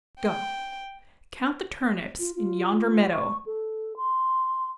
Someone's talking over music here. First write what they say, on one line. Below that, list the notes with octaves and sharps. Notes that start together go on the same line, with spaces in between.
Go! count the turnips in yonder meadow.
G5
F4
F4
C#6
A4
C6